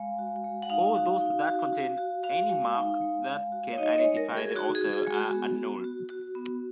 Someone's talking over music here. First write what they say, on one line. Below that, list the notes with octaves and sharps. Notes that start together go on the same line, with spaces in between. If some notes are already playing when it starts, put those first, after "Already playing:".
All those that contain any mark that can identify the author are annulled.
Already playing: G#3 F5
F#4
G#3
F#5
D#4 F5
F#4
D#4
F#4
F#4
F#4
F#4 F5
G#3
D#4
G#3
G#3
F#4
C#5
D#4 D#5
D#5
C#5
G#3
A#4
F#4
G#4
D#4 F#4
G#4
F#4
G#4
G#3
F#4
B3
F#4
F#4
F#4
B3